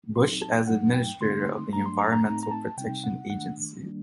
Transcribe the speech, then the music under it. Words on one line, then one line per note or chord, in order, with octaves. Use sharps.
Bush as Administrator of the Environmental Protection Agency.
A#2 F#3 C4 D#4 C6
A5
G5
G2 F#3 A3 D#4 F#5
G5
D3 A3 C4 D#4 C6
G2 F#3 A3 D4 A#5
C6
A#5
A#5
A2 A3 C4 D#4 A#5
A#5
A5
C3 G3 C4 D#4 G5
F#5
D#3 A3 D4 F#5
D#3 G3 A#3 D4